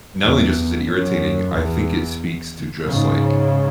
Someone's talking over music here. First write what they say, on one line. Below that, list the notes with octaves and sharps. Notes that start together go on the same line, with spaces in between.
not only just is it irritating, I think it speaks to just like
E2
F#2
E2
G#2 C#3